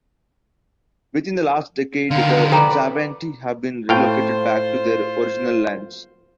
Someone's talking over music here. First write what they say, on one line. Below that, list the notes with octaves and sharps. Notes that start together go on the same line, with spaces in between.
Within the last decade, the Xavante have been relocated back to their original lands.
D3 D#3 F5
A4 B4 D5 G5 A#5
A2 F4 C5 F5 G5